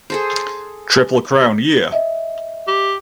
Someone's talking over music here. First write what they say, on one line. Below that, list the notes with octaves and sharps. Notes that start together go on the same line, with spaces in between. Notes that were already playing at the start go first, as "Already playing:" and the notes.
Triple Crown year.
G#4 A4 C5
D#5 E5
G4